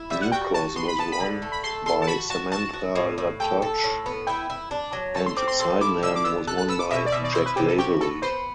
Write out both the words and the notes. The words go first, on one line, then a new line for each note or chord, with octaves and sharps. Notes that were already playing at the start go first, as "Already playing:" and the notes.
New Cross was won by Samantha Latouche and Sydenham was won by Jack Lavery.
Already playing: E4
G3 E5
F#5
F#4 G5
F#4 A5
B3 C6
B5
B3 A5
B5
D3
A3
B5
A4 C6
A4 C6
A5
F#4 B5
F#4 A5
F#4 A5
F#4
A2
A2
A4 G5
A4
A2
B3
E4 G5
E4
D4
F#3
A3 A5
C6
C4 D6
C6
A4 C6
E4 D6
D3 E6
D6
B3 E6
A4 F#6
F#6
B3 E6
D6
B2 E5
D5
B2 E5
D5
E4 C5
B4
C3 G4
A4
F#4 G4
B3 A4
B3 C5